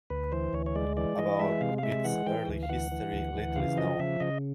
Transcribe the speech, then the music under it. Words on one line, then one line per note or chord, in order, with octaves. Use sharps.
About its early history, little is known.
D2 B4
E3 C5
D2 C#5
C#5
G#3 D5
E3 D5
E3 D#5
G#3 E5
C3 F5
F5
G#3 E5
E3 F#5
E3 G5
D2
F5
E3 F#5
E3
D2
E3
C#3 F5
F3 D#5
C#3 E5
C#3 D#5